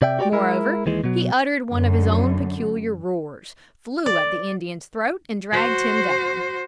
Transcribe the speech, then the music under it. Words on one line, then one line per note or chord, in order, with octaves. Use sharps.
Moreover, he uttered one of his own peculiar roars, flew at the Indian's throat, and dragged him down.
C3 D5 E5 G5
F#4 G4 A#4 D5 G5
G#3 E4 A#4
D#2 E3 G#3
B2 F#3
F#2 D3
D5
F#4 C5